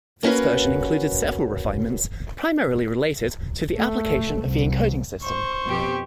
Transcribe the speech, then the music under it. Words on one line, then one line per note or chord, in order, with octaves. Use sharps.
This version included several refinements, primarily related to the application of the encoding system.
A#3 C#4 F#4 B4
A3
C2
C5 C#6
F2 B2 G4